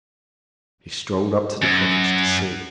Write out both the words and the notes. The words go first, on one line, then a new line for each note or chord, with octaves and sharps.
He strolled up to the cottage to see.
F#2